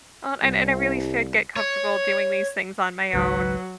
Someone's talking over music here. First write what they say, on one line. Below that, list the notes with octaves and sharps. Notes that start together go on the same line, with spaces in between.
Uh, and and I really should get comfortable doing these things on my own.
C2
C#5
G#1 C#2 G#2 F#3 B4